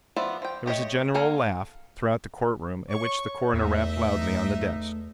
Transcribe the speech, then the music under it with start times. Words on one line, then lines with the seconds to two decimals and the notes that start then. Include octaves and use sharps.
There was a general laugh throughout the courtroom, at which the coroner rapped loudly on the desk.
0.16 F3 B3 D5 E5
0.42 F3 G5
0.66 A3 G4 C#5 D#5
1.14 A#3 A4 A#4 F5 G#5
2.90 C#5 C#6
3.54 E2 A3 D#4 E5